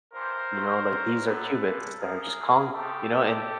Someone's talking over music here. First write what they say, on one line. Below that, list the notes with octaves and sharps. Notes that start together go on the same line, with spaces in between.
You know, like, these are cubits that are just calling you know, and
G2 E3 A#4 C5
A2 F#3
A#2 F#3
F#2 D#3 F#3 A4 B4
A#2 F3
A#2 F3 G#4 A#4
A2 E3
F2 C#3 F3 G4 A4
F2 C3 F3